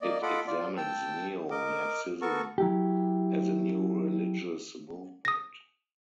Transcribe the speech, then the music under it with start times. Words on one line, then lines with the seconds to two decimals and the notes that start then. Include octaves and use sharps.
It examines neo-Nazism as a new religious movement.
0.02 A#3 D5 D#5
0.22 F4 A4 D#5 F#5 B5 D6
0.47 F4 D5
0.77 G5 A5 E6
1.51 A#4 D#5 D6
2.22 B3 F#4 A4 A#4 A5 C#6
2.58 F#3 E4 G4
5.25 D#6 A#6